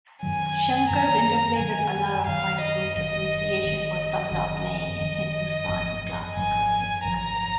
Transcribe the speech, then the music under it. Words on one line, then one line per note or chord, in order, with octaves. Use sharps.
Shankar's interplay with Alla Rakha improved appreciation for "tabla" playing in Hindustani classical music.
F#2 D#3 F#3 G#5
F#2 D#3 F#3 A#5
F#2 D#3 F#3 G#5
F#2 D#3 F#3 F5
D#5
F#1 F#2 D#3
F#1 F#2 D#3
F#1 F#2 D#3 D#5
F#1 F#2 D#3
G#1 F#2 C#3 F3
G#1 F#2 C#3 F3 G#5
G#1 F#2 C#3 F3 A#5